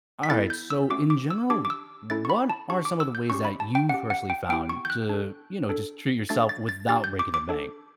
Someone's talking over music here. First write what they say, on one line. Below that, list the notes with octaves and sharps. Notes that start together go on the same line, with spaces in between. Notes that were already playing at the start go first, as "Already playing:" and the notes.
Alright, so in general, what are some of the ways that you've personally found to, you know, just treat yourself without breaking the bank?
B6
B3 E4 A4 A6
G6
E6
A3 C#4 F#4 D6
D6
E6
D4 G4 D6
D6
E6
A3 C#4 E4 A4 A6
C#6
B5
A5
D4 G4 C#6
D6
E6
G6
C#4 G4 C#6
B5
A5
G5
C#4 G4 F#5
F#5
G5
B3 E4 G4 G5
C#6
G6
F#6
D4 A4
D4 A4
A3 D4 F#4 A4 A6
A6
A6
D4 G4 A6
G6
D6
D6
D4 A4